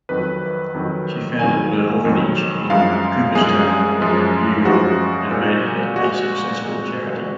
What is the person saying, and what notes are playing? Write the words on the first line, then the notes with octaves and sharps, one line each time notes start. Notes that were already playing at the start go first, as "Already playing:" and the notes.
She founded an orphanage in Cooperstown, New York and made it a successful charity.
F2 D#3 F#3 B4
F2 D#3 F#3
F2 D#3 F#3 G#5
F2 D#3 F#3
F#2 F3 G#3 F5
F#2 F3 G#3 G#4
F#2 F3 G#3
F#2 F3 G#3 F#4
A#2 G#3
A#2 G#3 F#4
A#2 G#3